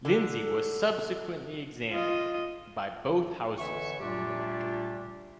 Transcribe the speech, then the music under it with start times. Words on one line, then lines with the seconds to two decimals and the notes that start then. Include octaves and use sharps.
Lindsay was subsequently examined by both Houses on the matter.
0.05 D3 A4
1.92 F4 D#5
3.58 F2 D3 E3 C#5 E5 C#6
4.00 A#2 G3 A3 D4 F4 G4